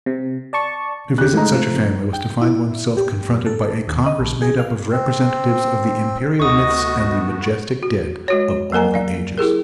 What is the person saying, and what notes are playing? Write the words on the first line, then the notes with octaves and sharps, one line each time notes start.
To visit such a family, was to find one's self confronted by a congress made up of representatives of the imperial myths and the majestic dead of all the ages.
C3
D5 A5 C#6
E2 C#3 G4 F#6
G#2 A3 D#4 A#5
C3 F3
G5
E4
G4
F#2
A4
D#2
D#5
A#1
G#4
F5
C4
D2 A3 B3 F#4 D#5 C#6 D#6
F#4
G#3 F#4 C#5
F#3 A#3 A#4 G#5 A#5
D5 F5
E4 G4 G#4 A#4